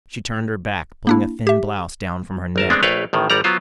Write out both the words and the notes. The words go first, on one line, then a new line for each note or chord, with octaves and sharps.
She turned her back, pulling a thin blouse down from her neck.
A#3 D4 E4
G4 E5
G#1 A#4 A5
G#3 A3 B3 C4 D4
A#1 A3 B4 C#5 F5 G5
A1 A2 D#3
G#1 G3 D5 F#5 A#5
F#3 B3 F4 C5